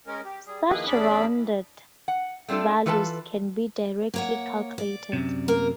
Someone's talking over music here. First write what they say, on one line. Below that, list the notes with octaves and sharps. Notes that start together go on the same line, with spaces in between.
Such "rounded" values can be directly calculated.
G#3 C#4 A#4
G4
G3 G#4
D#3 F3 A#3 E4 G#4 B4
E2 C#4 D4 G#4 D5 B5
E3
F#5
A3 C4 D4 F4 A4
E3 F4 A4 B4 F#5 A5
A#3 C#5 F#5
D5
F#2 C3
A#3 A#4